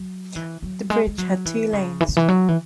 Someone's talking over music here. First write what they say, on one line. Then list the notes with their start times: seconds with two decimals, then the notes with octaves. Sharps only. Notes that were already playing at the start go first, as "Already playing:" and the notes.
The bridge had two lanes.
Already playing: F#3
0.36 E3
0.62 F#3
0.90 G#3
1.07 G#3
1.18 F#3
1.45 E3
1.73 C#3
2.01 E3
2.09 C#3
2.17 E3
2.28 F#3
2.48 E3